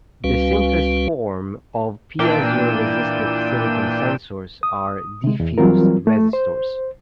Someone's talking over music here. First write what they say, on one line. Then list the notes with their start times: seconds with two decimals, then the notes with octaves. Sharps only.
The simplest form of piezoresistive silicon sensors are diffused resistors.
0.24 C#2 G3 C#4 F#4 B4 F5
2.19 A#2 E3 D4 G5 E6 D#7
4.63 D#6
5.24 C3 G#3
5.40 E2
5.58 E3 F#3 G3 C4 F4 A#4
6.07 A3
6.33 C5